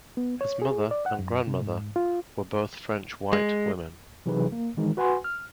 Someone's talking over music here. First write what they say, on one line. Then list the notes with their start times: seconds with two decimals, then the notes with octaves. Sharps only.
His mother and grandmother were both French "white" women.
0.17 B3
0.41 C#5
0.62 G#4
0.91 D5
1.06 F#5
1.19 F#2
1.47 C3
1.61 G#2
1.96 F4
3.33 G#3
4.26 C3 E3 F#3 D#4 G#4 B4
4.52 A#3
4.77 D#3 E3 G#3 D#4
4.97 F#4 B4 F#5 G#5 C6
5.24 F6